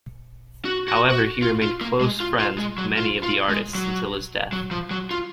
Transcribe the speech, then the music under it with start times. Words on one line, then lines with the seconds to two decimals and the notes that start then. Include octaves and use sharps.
However, he remained close friends with many of the artists until his death.
0.65 F#4
0.88 F#4
1.10 F#4
1.42 F4
1.62 F4
1.81 A#3
2.01 G#3
2.20 F4
2.39 F4
2.58 G#3
2.78 F#3
2.97 F4
3.23 F4
3.49 G#3
3.75 F#3
4.53 F#3
4.71 F3
4.91 F#3
5.11 F4